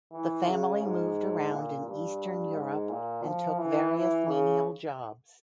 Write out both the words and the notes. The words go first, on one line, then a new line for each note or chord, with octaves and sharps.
The family moved around in eastern Europe and took various menial jobs.
E3
C#3
G#2
A#2
G2
G#2
A#2
F3
E3
E3
C#3